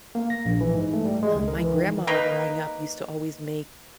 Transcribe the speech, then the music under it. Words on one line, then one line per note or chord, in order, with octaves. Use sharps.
uh, my grandma growing up used to always make
A#3
A#6
A#1
E3
G#2
A3
G3
G#3
C#2
A#4
E3
D#3
A#3 D#4 B4